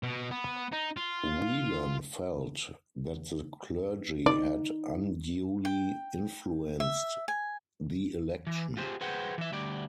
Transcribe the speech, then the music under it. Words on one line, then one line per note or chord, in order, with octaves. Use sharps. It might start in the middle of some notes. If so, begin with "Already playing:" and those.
Whelan felt that the clergy had unduly influenced the election.
B2
B3
D#4
F4
D#4 D5
G5
E5
G#5
E3
F4 G4 G#4 C5
G#4 B4 C5 F#5 G5
E3 E5
D2 G3 D5